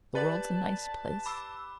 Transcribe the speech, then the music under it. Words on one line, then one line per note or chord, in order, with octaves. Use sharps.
The world's a nice place.
G4 B4 D5 A5 A6 F#7
B5 D6 E6